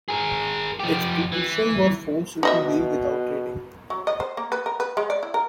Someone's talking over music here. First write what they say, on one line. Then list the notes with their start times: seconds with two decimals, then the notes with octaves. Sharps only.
The expedition was forced to leave without trading.
0.08 G#4 A#4
0.80 F3 G4
1.32 E3
2.43 B2 D#4 D#5 E5
3.90 F#3
4.07 D#5
4.20 C5
4.37 A#3
4.52 B4
4.66 A#4
4.80 B4
4.97 G#3
5.10 D5
5.23 E4
5.34 A#4